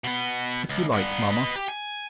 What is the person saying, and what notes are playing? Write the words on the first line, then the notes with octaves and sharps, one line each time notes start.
"If you like, mama."
B2 B3
C#2
G2 B3
B4 D#5
G4
G#5